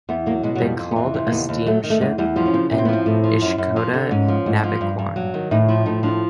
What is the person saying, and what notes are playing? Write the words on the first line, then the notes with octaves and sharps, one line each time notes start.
They called a steam ship an ishcoda nabequon.
E2 B3
F#3 A#3
B2 G#3
F#3
F2 G3
F2
B3
E3 C4
C3
A#3
D#2 B3
D#2
F#3 A3
D#3
A3
E2 G#3
E2 G3
F3 G3
C#4
C#3 C4
A2 C#4
C4
B3
F3 C4
A2
F3
F#2
F#2
F3
D3
G#2 C#4
F3
G#2
F3
G2
G2
F#3
D#3
A2 D#4
F3 E4
A2 D#4
F3 D4